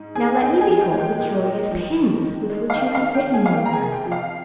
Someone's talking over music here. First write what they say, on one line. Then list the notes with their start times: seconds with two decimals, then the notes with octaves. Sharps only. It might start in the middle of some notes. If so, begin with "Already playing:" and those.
"Now let me behold the curious pens with which you have written your work."
Already playing: G#2
0.15 D#3 G#4 G#5
0.35 G#5
0.41 D#4 G5
0.61 G#4 G#5
0.67 F3
0.80 G5
0.93 G#3
1.00 G5
1.20 A#2
1.46 D#4
1.71 F3
1.97 D#2
2.23 D#3
2.50 G#3
2.70 F5
2.75 D#2 G5
2.95 F5
3.01 D#2
3.14 G5
3.27 D#3
3.34 G#4 G#5
3.46 F5
3.53 A#3 G5
3.66 A#5
3.73 G#4 G#5
3.79 C3
3.92 G5
4.05 F3
4.12 F5